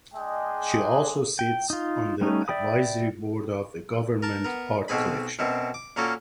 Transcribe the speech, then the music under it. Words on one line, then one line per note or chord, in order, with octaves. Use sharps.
She also sits on the advisory board of the Government Art Collection.
G#3 D4 G#4 D#5 G5
G5
D#4 F4
G3 A3 C#4 D#4
D5 E5 G5 B5 D#6
A#4 A5
B3 A#4
B1 B2 C4 G#4 B5
F#2 B2 C4
D6
A#2 A#3 C#4 F#4 A4